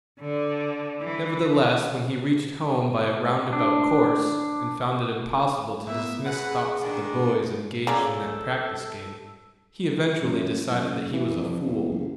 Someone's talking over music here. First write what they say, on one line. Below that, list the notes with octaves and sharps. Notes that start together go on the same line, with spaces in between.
Nevertheless, when he reached home by a roundabout course, and found it impossible to dismiss thoughts of the boys engaged in that practice game, he eventually decided that he was a fool.
D3
E3
D4
A#2 A#3 B3 E5
F#2 G#4 B4 F#5
D#3 D4
C#3 F4 A4 A#4 C#5 D5
F#2
F#1
E3
F2
E2
F#1